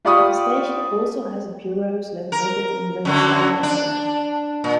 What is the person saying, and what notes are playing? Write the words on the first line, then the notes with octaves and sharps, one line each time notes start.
The station also has bureaus located in Riverside and Orange.
F4 G4 D5 B5 C#6 D#6
A#4
F#2 D3 F#3
D4
A#2